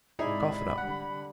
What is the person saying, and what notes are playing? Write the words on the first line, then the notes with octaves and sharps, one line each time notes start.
Cough it up.
G#2 C3 G#3 D#4 E4 G#4 D5 B5
D3 G3 F#5